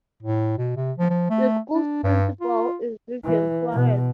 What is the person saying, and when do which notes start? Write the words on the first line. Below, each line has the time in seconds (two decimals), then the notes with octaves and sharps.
The school's principal is Vivian Suarez.
0.23 A2
0.58 B2
0.76 C3
0.98 F3
1.10 F3
1.30 A3
1.74 D4
2.04 G2
2.41 F4
3.25 E3
3.72 B2